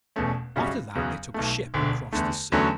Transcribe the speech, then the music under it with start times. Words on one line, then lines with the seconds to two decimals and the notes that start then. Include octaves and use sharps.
After that they took a ship and crossed the sea.
0.16 E1 E2 B2 A3 C#4
0.56 F#2 C#3 G3 C#4 F#4
0.95 E2 C#3 F#3 B3
1.34 B1 B2 A3
1.74 E1 D2 D3
2.13 E2 D3 A3
2.52 E2 D3 F#3 A3 C#4